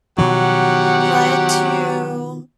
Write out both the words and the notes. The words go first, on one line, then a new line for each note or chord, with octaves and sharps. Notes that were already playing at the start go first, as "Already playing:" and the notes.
led to
B2 D#3 F3 F#3 G4 F#5